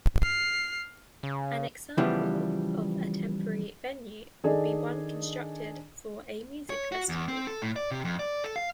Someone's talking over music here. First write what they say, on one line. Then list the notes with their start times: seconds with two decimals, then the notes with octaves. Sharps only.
An example of a temporary venue would be one constructed for a music festival.
0.23 F6 C7
1.23 C#3
1.98 C#3 E3 F3 G3 B3 D4
4.44 D#3 D4 G#4 A4 D5 D#5
6.70 C#5
6.92 F#4
7.09 E2
7.28 C4
7.47 A4
7.62 A2
7.76 D5
7.91 C3
8.05 F2
8.19 D5
8.44 A4
8.56 F5